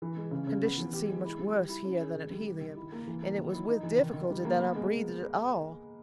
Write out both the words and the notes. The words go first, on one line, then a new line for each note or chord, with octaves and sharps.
Conditions seemed much worse here than at Helium, and it was with difficulty that I breathed at all.
E3
G#3
C#3
C#3
B3
E3
G4
G#3
E4
G3
G4
E4
C#4
G#4
D#3
G3
G4
D#3
E4
A#3
E3
A#3
D#3
E4
D#4
E3
D#3
D#3
G3
A#3
B3
G#3